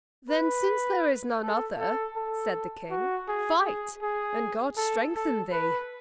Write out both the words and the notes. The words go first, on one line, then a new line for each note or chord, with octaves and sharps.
"Then since there is none other," said the King, "fight, and God strengthen thee."
B4
A4
A4
A4
F#4
G#4
G#4
G#4
A4
A4
B4